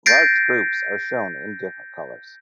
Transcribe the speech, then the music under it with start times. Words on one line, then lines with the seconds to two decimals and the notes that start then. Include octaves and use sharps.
Large groups are shown in different colors.
0.06 G6 A6 A#6 C7 D7